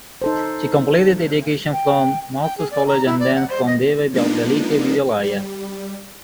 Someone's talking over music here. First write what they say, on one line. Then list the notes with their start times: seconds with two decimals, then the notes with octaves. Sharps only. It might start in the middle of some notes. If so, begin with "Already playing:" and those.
She completed education from Musaeus College and then from Devi Balika Vidyalaya.
0.22 D#4 A4 C5
1.73 G5
2.42 G5
2.58 G#4
2.71 D5
2.87 A#5
3.06 E4
3.20 D5
3.35 F#5
3.49 C5
3.66 D#5
4.14 F3 G#3 A#3 B3 D4 D#4
5.23 G3